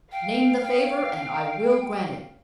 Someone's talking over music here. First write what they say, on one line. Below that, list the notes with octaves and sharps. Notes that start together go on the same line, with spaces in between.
"Name the favor and I will grant it."
F5 G5
G5